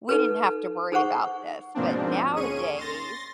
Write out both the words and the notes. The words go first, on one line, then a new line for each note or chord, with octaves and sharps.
We didn't have to worry about this, but nowadays
D#4 A4 B4
D#4 G#4 C5 F#5 C#6
G#2 B2 F3 A#3 C4 D4
D#2 C#4 G#4 C#6 D#7
C6 A6 A#6